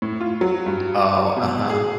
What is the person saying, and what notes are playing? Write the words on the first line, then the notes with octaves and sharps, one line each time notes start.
Oh, uh-huh.
A2
F4
F#3
G2
B2
G#4